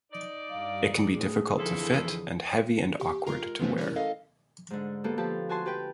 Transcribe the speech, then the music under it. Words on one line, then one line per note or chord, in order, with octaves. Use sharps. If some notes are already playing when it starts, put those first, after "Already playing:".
It can be difficult to fit and heavy and awkward to wear.
D#4 D5
G2 F5
A2 G#4
F2 D3 E3 E4 F4 A4
G4
G#3 F4 A#4 A#5 C7
C3 E3 A3 B3 C#4 C5
G3 C#4 E4 A#4
A4 D#5 F5
G#2 D3
A#3 B3 G4 A4
F3 G4 A5
F#4 G#5 A5 C6
G4 B4 G5